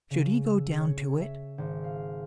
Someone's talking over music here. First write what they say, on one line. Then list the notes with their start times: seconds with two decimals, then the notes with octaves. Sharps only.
Should he go down to it?
0.10 C#3
0.45 E6
0.80 C#5
1.19 E5
1.58 G#1
1.84 F5